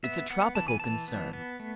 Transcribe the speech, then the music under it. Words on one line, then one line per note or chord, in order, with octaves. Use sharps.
It's a tropical concern.
B3 E5
B3 F#5
E3 A5
G#5
E3 A5
B3
B3
A3